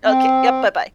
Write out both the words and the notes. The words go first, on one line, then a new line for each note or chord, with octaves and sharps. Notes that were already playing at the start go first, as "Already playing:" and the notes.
Okay, yep, bye-bye.
C4